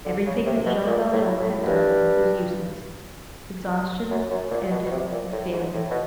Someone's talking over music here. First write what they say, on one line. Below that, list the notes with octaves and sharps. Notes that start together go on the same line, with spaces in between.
Everything that Jean Valjean had done was useless. Exhaustion had ended in failure.
D3
C#3
C3
B2
A#2
A2
A2
F#2
G2
F#2
F#2
A#2
B2
B2
C3
A#2
A2
G#2
A2
B2